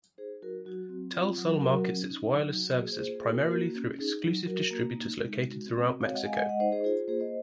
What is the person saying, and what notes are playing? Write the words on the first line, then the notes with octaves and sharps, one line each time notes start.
Telcel markets its wireless services primarily through exclusive distributors located throughout Mexico.
D#4 G#4 C5
F#3 F#4 A#4
F#3 F#4
C4
F4
F#3
F#3 F#4 A#4
C#4
D#4
F#3
F#4
F#4
A#3 G#4
G#4 C5
F4 G#4 C5
G#4
A#3 F#4 A#4
F#4 A#4
A#3 F#4
C#4
D#4 G#4
F#3
F#4 A#4
A#3
D#4
G#3
F#4
C4
F#4
C#5 F5
G#3 D#5 F#5
F5 G#5
G#3 D#5 F#5
D#5 F#5
D#4 C5 D#5
G#4 C5
F4 G#4 C5
A#3 G#4 C5
C5 D#5